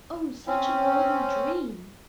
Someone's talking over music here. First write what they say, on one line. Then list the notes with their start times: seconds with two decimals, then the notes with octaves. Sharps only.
Oh, such a golden dream!
0.47 C4 C#4